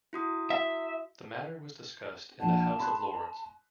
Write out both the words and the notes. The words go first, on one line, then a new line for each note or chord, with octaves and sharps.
The matter was discussed in the House of Lords.
E4 F#4 D#6
E5
A#1 F#5 A5
B5 C6 F#6